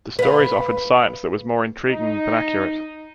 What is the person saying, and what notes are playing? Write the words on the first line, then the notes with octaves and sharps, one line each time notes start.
The stories offered science that was more intriguing than accurate.
B4 F5
D#4